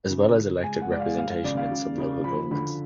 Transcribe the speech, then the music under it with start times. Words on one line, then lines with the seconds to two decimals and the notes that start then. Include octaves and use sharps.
As well as elected representation in some local governments.
0.10 C#3
0.37 C#3
0.63 G#3 G#5
0.82 F#5
0.91 G#3 D5
1.00 F5
1.18 G#3 F5
1.30 F5
1.44 C#3 D5
1.57 F5
1.71 C#3
1.98 C#3
2.24 F3 B5
2.51 D3 B5